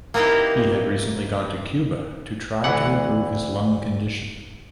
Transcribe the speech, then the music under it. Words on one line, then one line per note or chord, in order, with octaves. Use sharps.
He had recently gone to Cuba to try to improve his lung condition.
A#3 C4 D#4 E4 G4 B4
D2 E3 F#5